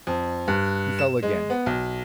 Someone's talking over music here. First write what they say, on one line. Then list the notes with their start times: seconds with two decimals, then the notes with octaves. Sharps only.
He fell again.
0.07 F2
0.48 G2
0.99 E7
1.23 G#3
1.50 B3
1.66 B1